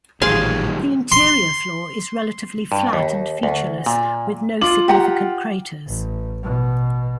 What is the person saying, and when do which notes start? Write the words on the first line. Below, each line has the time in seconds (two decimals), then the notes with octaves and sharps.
The interior floor is relatively flat and featureless, with no significant craters.
0.22 A1 A#2 D#3 F#3 G3 G#4 F5 C6
1.12 C6
2.72 G2
2.93 D#2
3.43 D2
3.86 A#2
4.61 F4 D6 F#7
4.88 G4 F#5 A#5
5.87 A1
6.43 B2